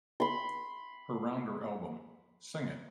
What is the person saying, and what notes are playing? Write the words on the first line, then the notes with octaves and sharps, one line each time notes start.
Her Rounder album, Sing It!
B5 C6